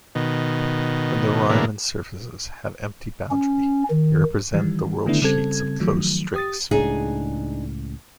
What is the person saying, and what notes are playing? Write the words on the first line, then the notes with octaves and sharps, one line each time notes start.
When the Riemann surfaces have empty boundary, they represent the worldsheets of closed strings.
B2 D#3
G#2 B2 D3 E3 A#3
C#4
D#3
D#3 E3 G3
D3 D#3 A3 B3 D4 E4
C#3 G3 C4 A4 G#6
D#3 F3 F#3 A3
G4 D#6 A6
C#2 A2 D4 D#4 G#4